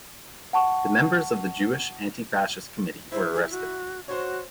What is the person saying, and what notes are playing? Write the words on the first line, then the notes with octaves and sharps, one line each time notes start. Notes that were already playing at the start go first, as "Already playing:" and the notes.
The members of the Jewish Anti-Fascist Committee were arrested.
F#5 A5 C#6
E4 C5
G#4
F#4
F#4 C5 C#5